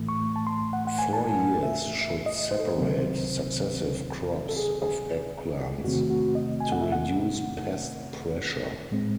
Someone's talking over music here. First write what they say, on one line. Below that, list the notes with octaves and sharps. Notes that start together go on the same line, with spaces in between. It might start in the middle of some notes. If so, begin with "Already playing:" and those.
Four years should separate successive crops of eggplants to reduce pest pressure.
Already playing: A2 E3 A3
C#6
A5
C6
F#5
F#5
G#5
A5
G#5
E5
E5
D#5
C5
A4
C5
C#2 C3 D#3 F#3 C4
A4
G#4
G#4
E2 C3 D#3 A3 C4 F#4
F#4
D#5
G#5
F#5
E5
F#5
A2 G#3 C4